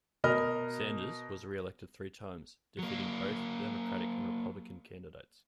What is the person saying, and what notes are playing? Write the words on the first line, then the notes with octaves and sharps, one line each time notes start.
Sanders was reelected three times, defeating both Democratic and Republican candidates.
B2 A#4 D#5 B5 F6
F#3 A#3